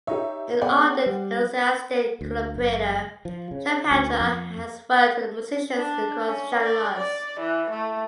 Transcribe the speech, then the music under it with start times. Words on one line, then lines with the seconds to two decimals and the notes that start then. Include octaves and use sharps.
An ardent and enthusiastic collaborator, Shubhendra has worked with musicians across genres.
0.07 D#4 G4 C#5 E5
0.61 B3 G#4 C5 D5 F#5 G5
1.06 G3
2.21 D2
2.55 F#1
3.25 F3
3.51 C#3
3.91 D2
4.20 F2
5.77 D4
6.26 C#4
6.63 D5
6.97 D5
7.40 E3
7.70 A3